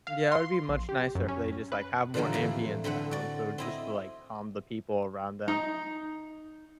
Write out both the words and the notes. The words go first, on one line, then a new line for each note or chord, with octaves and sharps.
Yeah, it would be much nicer if they just, like, have more ambient sound, so just to, like, calm the people around them
F5
C6
A#1
G4
F#2
C#4
B4
A#2 D3 E3 F3 G3 A#3
F2 A2 E3
D3 C4 B4 F#5
F#4 D5
C4 E4 D#5
D#4